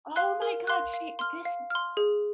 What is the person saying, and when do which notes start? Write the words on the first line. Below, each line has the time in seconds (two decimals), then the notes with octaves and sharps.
Oh my god, she this is
0.16 F5 C6 F#6
0.42 A#4
0.67 F5 C6 F#6
0.94 F5
1.19 C6 F6
1.45 F5
1.70 C6 F6
1.97 G#4